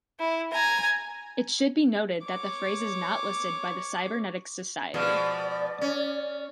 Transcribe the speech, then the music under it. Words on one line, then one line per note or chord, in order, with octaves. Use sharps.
It should be noted that the phrase is not listed by the Cybernetics Society.
E4
G#5 A#5
C#5 D6
B2 F3 G#3 D5
C#4